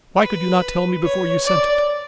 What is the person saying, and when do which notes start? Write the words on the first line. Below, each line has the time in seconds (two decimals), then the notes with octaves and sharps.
Why could you not tell me before you sent it?
0.23 B4
1.04 C#5
1.44 D5